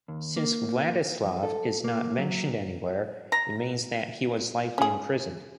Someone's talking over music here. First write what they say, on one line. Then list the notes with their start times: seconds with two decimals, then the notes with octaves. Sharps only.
Since Vladislav is not mentioned anywhere, it means that he was likely imprisoned.
0.08 D#2
0.36 A#3
1.24 F2
1.43 A4
1.84 A#3
2.18 F#3
3.32 A#5
4.78 C#4 G#4